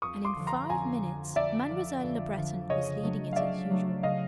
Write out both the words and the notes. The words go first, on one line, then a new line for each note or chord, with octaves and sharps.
And in five minutes Mademoiselle Le Breton was leading it as usual.
F2 C#6 D#6
C6 D6
D3 F3
A#5 C6
F2 G#5 A#5
D3 F3
F2 D5 E5
D3 F3
F2
D3 F3
C#3 C#5 D#5
F#3 A3 D4
F5
C#3 D5 E5
F#3 A3 D4
C#3 D#5 F5